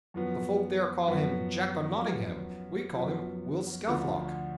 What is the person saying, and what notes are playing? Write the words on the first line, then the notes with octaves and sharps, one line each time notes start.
The folk there call him Jock o' Nottingham; we call him Will Scathelock.
F#2 F3 B3
F#2 F3 B3
F#2 F3 B3
F#2 F3 B3
D2 D3 F3